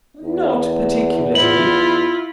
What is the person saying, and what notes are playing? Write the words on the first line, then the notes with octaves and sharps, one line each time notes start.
"Not particularly."
E2
E4 F4 F#7